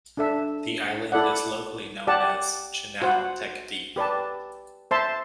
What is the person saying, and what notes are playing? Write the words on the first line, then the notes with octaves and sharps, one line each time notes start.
The island is locally known as "Chinal Tekdi".
D4 A4 E5
E4 A4 D5 F#5
G4 D5 F#5 A5
F#4 C5 F#5
G4 B4 D5 A5
C5 E5 A5 C6